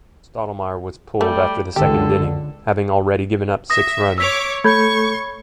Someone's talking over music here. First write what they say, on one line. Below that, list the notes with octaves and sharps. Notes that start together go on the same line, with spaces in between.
Stottlemyre was pulled after the second inning, having already given up six runs.
G3 A3
C#2 D3 G4 A4
E5 D#6 A#6
C#5 D6 E6 B6 F7
A3 A4 C#5 B5 C#6 G6 G#6